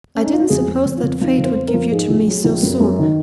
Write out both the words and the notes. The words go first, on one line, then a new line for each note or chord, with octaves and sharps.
I didn't suppose that Fate would give you to me so soon.
C#4
D#4
F4
F#4
F2 G#4
F2
F2
F4
F2
F3 D#4
F2
C5
F2
A#4
F3
G#2 G#4
A#1
F#3
A#1
F#2
F#2
D#3